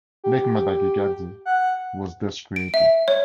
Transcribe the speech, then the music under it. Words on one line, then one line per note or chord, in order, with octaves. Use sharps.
Lake Makgadikgadi was thus created.
G4
F#5
D7
E5
C#5